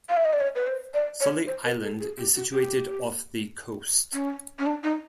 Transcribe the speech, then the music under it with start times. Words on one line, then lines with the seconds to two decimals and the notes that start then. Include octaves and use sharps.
Sully Island is situated off the coast.
0.09 F5
0.17 E5
0.25 D#5
0.33 D5
0.41 C#5
0.56 B4
0.67 C5
0.94 D5
1.21 C#5
1.47 C5
1.65 A#4
1.83 A4
2.00 G#4
2.17 G4
2.36 F#4
2.53 G4
4.13 C#4
4.59 C#4
4.66 D4
4.83 D#4